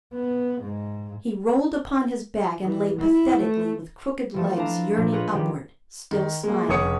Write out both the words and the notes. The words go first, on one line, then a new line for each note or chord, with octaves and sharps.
He rolled upon his back and lay pathetically with crooked legs yearning upward, still smiling.
B3
G#2
E3
E4
A3
E3 F3 A3
D4 E4 F5 A5 A#5
A#2 F3
F4 G#4 A#4 B4 C#5
D#3 G3 G4
D#3
G#3 A#3
F1 C#3 C#5 D#6 C#7